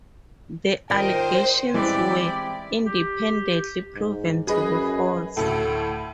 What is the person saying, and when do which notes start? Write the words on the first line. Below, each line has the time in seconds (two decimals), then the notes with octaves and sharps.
The allegations were independently proven to be false.
0.90 D#3 F4 A#4 C5 D5 D#5 G5
1.74 E3 G#3 C4 E4 G4 D5 G5 B5
2.84 G4
3.95 G#2
4.47 F#2 G#4 B4 D#5
5.37 D2 A2 A4